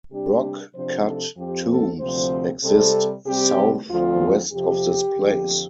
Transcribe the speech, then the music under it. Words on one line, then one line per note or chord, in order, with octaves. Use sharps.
Rock-cut tombs exist south-west of this place.
C3 G3 D4 G4
C3 F3 D4 C5
A4
F2 F3 C4 G4
A4
D2 C3 F3 C4 C5
C3 G3 C4 A4
C3 G3 C4 G4
D2 D3 F3 C4 F4
F2 C3 F3 G4
F2 D3 F3